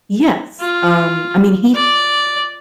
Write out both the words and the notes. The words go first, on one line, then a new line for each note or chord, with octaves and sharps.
Yes. Um, I mean, he
F4
D5